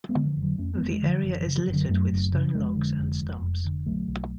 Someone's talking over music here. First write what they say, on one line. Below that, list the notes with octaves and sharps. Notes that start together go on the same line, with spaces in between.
The area is littered with stone logs and stumps.
G#3 B3
D3
F3
F1
D3 F#3
F2 A3 C#4
G#3 B3
F1
F3 G#3
D3
F3
F#1 F3
F3
C#3
F3
F#1
D3 F#3
F#2 F#3 A3
F#1
C#3
F1 F3 G#3
D3
F1
F2
F1
D3
B1 F#3 A3
B1